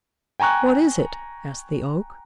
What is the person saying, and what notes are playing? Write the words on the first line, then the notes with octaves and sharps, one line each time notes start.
"What is it?" asked the Oak.
G5 G#5 A#5 C#6 F#6